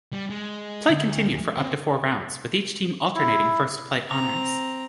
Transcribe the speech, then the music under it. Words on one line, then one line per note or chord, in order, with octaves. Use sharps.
Play continued for up to four rounds, with each team alternating first-play honors.
G3
G#3
D2
C4 C#4
E4
C4 A#5